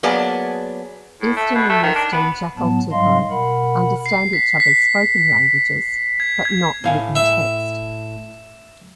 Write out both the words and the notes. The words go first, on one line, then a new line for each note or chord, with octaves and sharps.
Eastern and Western Jakalteko understand each other's spoken languages, but not written text.
F#3 A#3 B3 G#4 D5 A5
A2
A3
B2
A3
D#3
D4
B3
A2 F#3 B3 A5
G#2 F#3 G3 D#5 F5 C6
B2 A#4 F#5 B5
C7
B6
B6
G#6
G#6
A2 F5 G#5
E5